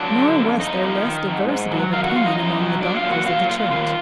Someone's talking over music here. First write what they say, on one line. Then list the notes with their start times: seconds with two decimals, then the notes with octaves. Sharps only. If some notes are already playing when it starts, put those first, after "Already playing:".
Nor was there less diversity of opinion among the Doctors of the Church.
Already playing: F#3 D4 D5
0.15 D3
0.38 F2
0.59 F2 D#4 D#5
0.82 F3
1.05 D#3
1.27 G#2
1.48 G#2
1.71 F#3
1.93 D#3 F4 F5
2.04 F#4 F#5
2.16 F#2 F4 F5
2.26 D#4 D#5
2.38 F#2
2.59 F#3
2.82 F#3 D4 D5
2.97 F4 F5
3.05 A#2
3.12 F#4 F#5
3.26 F#3 F4 F5
3.49 A#2 F4 F5
3.71 D#3 F4 F5